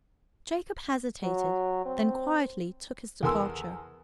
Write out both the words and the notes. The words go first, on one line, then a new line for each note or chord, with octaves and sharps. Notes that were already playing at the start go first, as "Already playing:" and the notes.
Jacob hesitated, then quietly took his departure.
F#3
C4
E2 A4 A#4 G#5 C6 E6